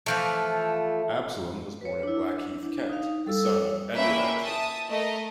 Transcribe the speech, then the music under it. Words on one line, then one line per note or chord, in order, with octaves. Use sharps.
Absolom was born at Blackheath, Kent, the son of Edward Absolom.
E3 F3 A3
B4 C#5
D4 E4
D4
D#4 F5
G3 A4 E6
C#5
A#3 C#4 E4 B4 E5 G5
E5 A5 D#6
A3 A#4 D#5